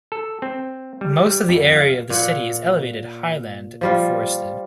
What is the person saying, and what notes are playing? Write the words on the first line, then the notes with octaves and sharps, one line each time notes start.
Most of the area of the city is elevated highland and forested.
A4
C4
G3
G3
F2
F5
A#2 F#5
F3 G3 F4